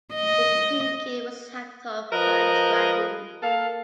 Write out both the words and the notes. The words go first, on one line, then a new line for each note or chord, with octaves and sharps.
His pinkie was hacked off by a dragoon.
D#5
F3 A#4 B4 D#5
A#3 A4 F5